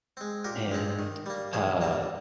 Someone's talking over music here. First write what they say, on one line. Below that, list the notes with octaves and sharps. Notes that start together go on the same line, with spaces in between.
and, uh
G#3 C4
A#2 G4 A#4
G#3 C4
D#3
G3 A#3
D#3 G#4 C5
G3 A#3